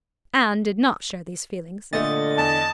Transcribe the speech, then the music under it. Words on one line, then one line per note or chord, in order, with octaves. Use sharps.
Anne did not share these feelings.
A#2 D3 A3 D#5 A6
E2 A5